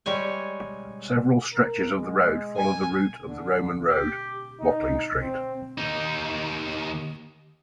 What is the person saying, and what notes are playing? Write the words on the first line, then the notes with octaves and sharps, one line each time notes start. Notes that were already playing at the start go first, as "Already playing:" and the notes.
Several stretches of the road follow the route of the Roman Road: Watling Street.
G3 G#3 C#5 G#5
A#4
G#3
G#5
D3
G4
D#4
C4
D#2 D#4